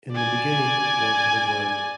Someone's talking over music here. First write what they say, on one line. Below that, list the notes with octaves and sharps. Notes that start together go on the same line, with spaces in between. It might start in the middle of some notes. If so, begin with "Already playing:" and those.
In the beginning was the Word.
D5 G#5